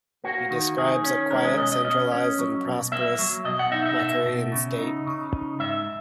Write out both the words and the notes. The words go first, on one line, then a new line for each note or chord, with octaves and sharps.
He describes a quite centralized and prosperous Makurian state.
A#3 F#4
D#3
D#3 G#4
C#4
G#3 A#4
G#4
B2 D#5
D#5
C#4 D#5
C#4
F#3
B2
A#3 E5
F#3
B2 D#5
F#5
D#4 E5
E5
B2 E5
B2
C#3
D#4
C#3
D#4
G#2 E5